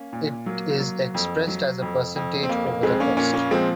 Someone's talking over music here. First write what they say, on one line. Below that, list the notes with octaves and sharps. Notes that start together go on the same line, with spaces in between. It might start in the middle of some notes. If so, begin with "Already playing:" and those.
It is expressed as a percentage over the cost.
Already playing: A#3 C#4
A#2
F#3 A#3
F#3
F2
F#3
F2
F2
C4
F2 A#3
A#3
F2 G#3 C4
A#3 C#4
A#2 A#3 C#4
A#3 C#4
F3 G#3 C4